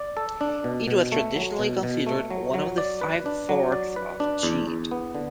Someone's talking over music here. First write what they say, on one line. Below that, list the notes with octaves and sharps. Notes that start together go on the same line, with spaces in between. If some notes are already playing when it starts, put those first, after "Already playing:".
It was traditionally considered one of the five Forks of Cheat.
Already playing: D5
A4
D4
B2
B2
A3
F#3
B2
B2
A3
F#3
F#3
D5
B4
D4
F#3
D5
B4
D4
E2
E2
B3
D3